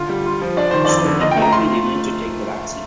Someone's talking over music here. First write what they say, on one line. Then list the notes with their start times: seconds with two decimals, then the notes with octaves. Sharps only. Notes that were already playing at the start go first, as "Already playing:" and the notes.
So we can rightly deny to take the vaccine.
Already playing: D3 F4
0.09 G3
0.26 F4
0.42 F3
0.57 D4 D5
0.71 D#3 C5
0.85 F2 D5
1.05 D3
1.20 F4 D#5
1.31 G5
1.36 A3
1.42 A#5
1.52 F4 C6